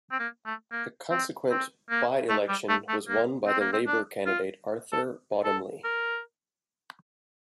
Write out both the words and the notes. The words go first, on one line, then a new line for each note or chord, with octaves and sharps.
The consequent by-election was won by the Labour candidate Arthur Bottomley.
C4
A#3
A3
A#3
C4
C4
A#3
A3
G3
A3
A3
A#3
C4
A#3
C4
D4
F4
A4
A4
A#4